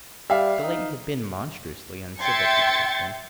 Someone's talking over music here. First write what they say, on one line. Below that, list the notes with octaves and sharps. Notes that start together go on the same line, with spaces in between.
The lady had been monstrously uncivil to the Captain.
G3 E5 F5
D#4
E5 G5 C6 G#6 A6 C#7